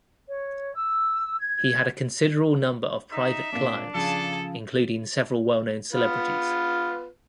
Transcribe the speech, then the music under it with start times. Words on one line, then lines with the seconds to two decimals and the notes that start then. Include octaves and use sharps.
He had a considerable number of private clients including several well-known celebrities.
0.28 C#5
0.73 E6
1.39 G#6
3.13 D#4 E5
3.52 A#2 A#3 C4 D4
3.94 C#3 F3 G#4 A4 A5
5.93 B3 F4 B4